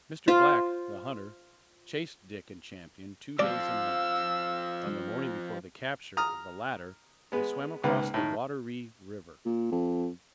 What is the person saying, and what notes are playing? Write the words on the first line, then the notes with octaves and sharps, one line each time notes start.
Mr. Black, the hunter, chased Dick and Champion two days and nights; on the morning before the capture of the latter they swam across the Water-ree river.
F4 C5
F2 F3 D5 F5 E6
A#5 D#6 F6
G#3 B3
C#2 G#2 A#3 B3
A2 D#3
A#2
F2